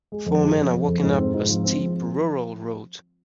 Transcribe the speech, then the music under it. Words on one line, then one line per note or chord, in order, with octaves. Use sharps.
Four men are walking up a steep rural road.
G#3
F2
G#3
F2
F2
F2
G#2
C4
G#2
F3
C4
F3